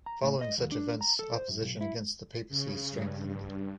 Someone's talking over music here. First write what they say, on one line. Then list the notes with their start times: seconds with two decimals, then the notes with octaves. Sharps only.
Following such events opposition against the papacy strengthened.
0.06 A#5
0.23 A2
0.41 D#5
0.58 D#2
0.72 D4
1.01 A#5
1.19 A4
1.35 C5
1.48 F#2
1.61 B1
1.81 E4
2.49 C#3
2.91 G2